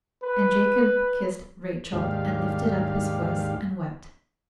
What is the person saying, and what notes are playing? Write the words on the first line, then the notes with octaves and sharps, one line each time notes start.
And Jacob kissed Rachel, and lifted up his voice and wept.
B4
D#2 G#2 D4 G4 F5